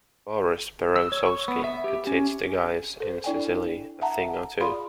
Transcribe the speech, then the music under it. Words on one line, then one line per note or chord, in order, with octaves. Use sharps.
Boris Berezovsky could teach the guys in Sicily a thing or two.
E6
C#5
C#6
B3
E5
G4
C#4
A4 C5
D4 E4 D5 G5 G#5
E5 F#5 A5 A#5
F4 G#4 D5 F5 B5 C6